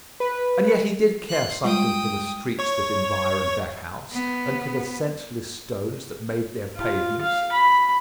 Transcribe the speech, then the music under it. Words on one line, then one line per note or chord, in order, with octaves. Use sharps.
And yet he did care something for the streets that environed that house, and for the senseless stones that made their pavements.
B4
C6 F#6
G3 G#3 F4 G5 D#6
C#5 C#6
B3
F4
F5
B5